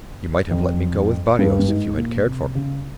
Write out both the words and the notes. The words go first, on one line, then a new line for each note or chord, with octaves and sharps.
You might have let me go with Barrios if you had cared for me.
F2
G2
G2
G#2
A#2
C3
C#3